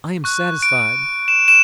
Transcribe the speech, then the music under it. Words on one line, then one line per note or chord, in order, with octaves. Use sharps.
"I am satisfied."
C#6 F#6
D7
E7
E7